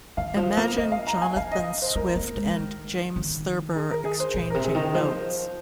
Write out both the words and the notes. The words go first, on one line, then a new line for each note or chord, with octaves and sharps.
Imagine Jonathan Swift and James Thurber exchanging notes.
D#3 F5
F3
A#3
A#3 D#5
F5
A#5
G#5
F3 F5
D#5
C5
A#3 A#4
A#3
G#3
D#3
D#3
G#4
A#4
G#4
C5
A#2
A#4
C3
G#4
D#3 A#4
F3 C5